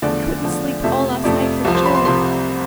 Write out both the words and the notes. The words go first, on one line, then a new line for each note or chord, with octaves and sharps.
I couldn't sleep all last night for joy.
E2 D3 F3 A3 D5
E2 D3 F3 A3
F2 C3 F3 A3 E5
F2 C3 F3 A3 D5
C2 C3 F3
C5
B5
C6
C3 F3 C6